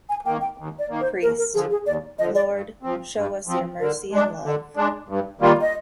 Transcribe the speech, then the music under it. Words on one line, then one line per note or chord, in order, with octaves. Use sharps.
Priest: Lord, show us your mercy and love.
G#5
D#3 A#3 G5
G5
D#2
D5
D#3 A#3
C5
D#2 A#4
A#4
D3 F3 G#4
G#4
D#2 D5
D3 F3 D#5
D5
G2
F3 C4
G2
F3 C4
D3 A#4
G#3 D4
D3
G#3 D4
G2
D#3 G3 A#3 F4
D#5